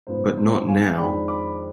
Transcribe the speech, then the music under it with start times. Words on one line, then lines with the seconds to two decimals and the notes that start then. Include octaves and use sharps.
But not now.
0.07 G#2 F3 B3 C5
0.37 C5
0.67 F5 G#5
0.98 F2 D#3 G#3 D4 G5 B5
1.28 B5 D6